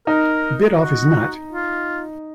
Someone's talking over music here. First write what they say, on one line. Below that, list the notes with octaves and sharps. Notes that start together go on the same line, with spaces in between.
Bit off his nut.
D#4 A#4
F#4
F4